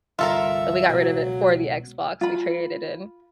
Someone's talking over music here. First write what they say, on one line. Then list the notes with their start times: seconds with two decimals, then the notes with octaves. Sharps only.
but we got rid of it for the Xbox; we traded it in.
0.19 G1 C2 F4 A4 A#4 E5
0.89 C#2 B2 F#3 B3
2.21 F4 B5